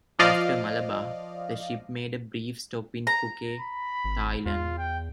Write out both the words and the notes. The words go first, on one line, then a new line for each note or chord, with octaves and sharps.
After Malabar, the ship made a brief stop in Phuket, Thailand.
F3 D5 D#5 F5
A#5
B5
G#1
E2 F4
G5